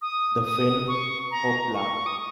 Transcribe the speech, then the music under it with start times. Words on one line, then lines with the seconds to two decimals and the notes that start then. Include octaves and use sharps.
The film Hoppla!
0.02 D#6
0.45 D#6
0.88 C#6
1.31 A#5
1.74 C#6
2.06 D#6